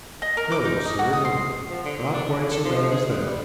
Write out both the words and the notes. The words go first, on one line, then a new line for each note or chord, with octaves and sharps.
'No, sir, no. Not quite so bad as that.
D#5
A#4
D6
D#4
D#5
F#4
D#6
C6
F3
D3
A#2
D4
C#3
A4
F3
G#4
D3
G3